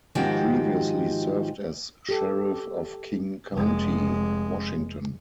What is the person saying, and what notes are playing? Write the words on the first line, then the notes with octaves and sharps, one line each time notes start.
He previously served as sheriff of King County, Washington.
G#2 D#3 F3 F#4 G4
G4 A4
F1 G#3